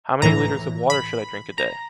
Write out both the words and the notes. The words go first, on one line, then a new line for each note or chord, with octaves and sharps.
How many liters of water should I drink a day?
A2 E3 A#5
B5
A#5